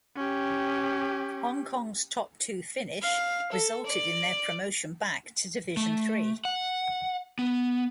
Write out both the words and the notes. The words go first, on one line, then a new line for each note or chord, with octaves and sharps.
Hong Kong's top two finish resulted in their promotion back to Division Three.
C#4 G4
F5
A4
D5
A3
F#5
B3